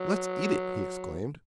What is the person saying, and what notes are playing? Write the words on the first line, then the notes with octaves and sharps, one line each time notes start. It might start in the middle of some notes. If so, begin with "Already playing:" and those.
"Let's eat it!" he exclaimed.
Already playing: F#3